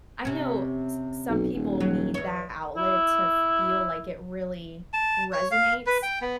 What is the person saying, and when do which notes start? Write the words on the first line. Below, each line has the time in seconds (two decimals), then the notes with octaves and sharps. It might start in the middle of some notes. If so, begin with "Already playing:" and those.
I know s some people need that outlet to feel like it really resonates,
0.25 C3 C#4
1.29 B1
1.54 D#1
1.80 F#3
2.14 E2 C#5
2.76 E4
4.93 A5
5.33 C#5
5.51 F5
5.86 B4
6.03 G5
6.21 B3